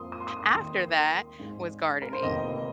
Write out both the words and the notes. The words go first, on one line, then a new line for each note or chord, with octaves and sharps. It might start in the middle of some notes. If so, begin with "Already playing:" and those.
after that was gardening,
Already playing: F2 F3 A#3 F4 C6 D#6
D#6
C6
D#6
D#2 D#3 A#3 C6
G#1 G#2 G#3
A#4
C5
F1 F2 D#3 A#3 D#5